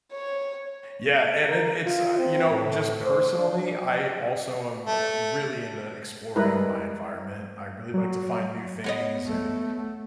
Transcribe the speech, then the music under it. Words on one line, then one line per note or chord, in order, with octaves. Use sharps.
yeah, and, it it's you know, just personally, I also, um, really into exploring my environment. I really like to find new things, and,
C#5
A#4
F4
C4
A2
C5
D4
A3
G3 G#3 E4 A#4 B4
F#3
B3 C#5 D#5
A3